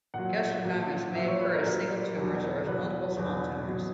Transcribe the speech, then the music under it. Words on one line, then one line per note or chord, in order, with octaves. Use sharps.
Gastrinomas may occur as single tumors or as multiple small tumors.
A#2 F#3 F#5
A#2 F#3
A#2 F#3 E5
C#5
B4
A#4
A#2 F#3 A#4
E2 B2 F#3
E2 B2 F#3 B4
E2 B2 F#3
B2 F#3